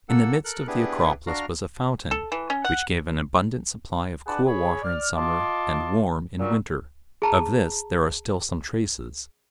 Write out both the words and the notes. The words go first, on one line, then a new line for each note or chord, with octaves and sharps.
In the midst of the Acropolis was a fountain, which gave an abundant supply of cool water in summer and warm in winter; of this there are still some traces.
A#3 A4 F#5 E6
A4 A#4 F#6
B3 D4 E4 G4 G#4 B4
D4 F#4 F5 A#5 F6
A4
E3
C#4
F#5
D4 G#4 B4 D5 F#5 A5
G#4 C#5 B5
D5 F6
F4 D#5 A5 C6 D6
A#2 C#3 F#3
G#4 A5 A#5